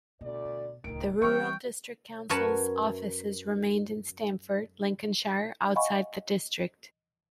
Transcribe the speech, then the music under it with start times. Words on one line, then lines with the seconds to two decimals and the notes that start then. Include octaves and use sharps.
The rural district council's offices remained in Stamford, Lincolnshire, outside the district.
0.21 D2 B2 D5
0.84 D1 C#2 D#3 D7
1.22 C3 E3 G3 C4 G5 C#6 E6 F6
2.29 F#2 A#4 B4 C#5 A5 B5
5.76 D#5 F5 F#5 G#5 B5 C#6